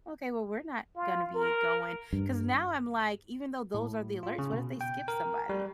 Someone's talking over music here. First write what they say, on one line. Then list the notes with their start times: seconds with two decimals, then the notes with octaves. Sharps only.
Okay, well, we're not gonna be going 'cause now I'm like, even though those are the alerts, what if they skip somebody?
0.96 F4
1.35 A#4
2.13 G2
3.74 A2
4.23 F4
4.39 C#3
4.53 B2
4.81 G5
5.08 A#4
5.49 G3